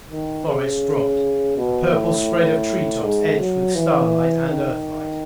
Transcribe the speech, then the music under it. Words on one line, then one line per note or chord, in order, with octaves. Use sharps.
The forest dropped, a purple spread of treetops edged with starlight and Earthlight.
D#3
C#3
B2
A2
G#2
F#3
E3
D#3